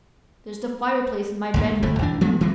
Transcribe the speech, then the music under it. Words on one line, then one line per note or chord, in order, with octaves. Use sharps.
There's the fireplace in my bedroom.
C#2 G#2 A#3
E1 G2 D3 A3
C#2 E3 D4
F3 G#3 A3 B3
E3 F#3 G#3 C4